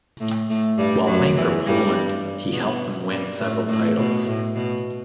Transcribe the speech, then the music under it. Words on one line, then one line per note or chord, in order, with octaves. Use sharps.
While playing for Poland, he helped them win several titles.
A2 A3
A2 A3
G2 G3
F#2 F#3
E2 E3
G2 G3
B2 B3
G2 G3
A2 A3
A2 A3
B2
A2
B2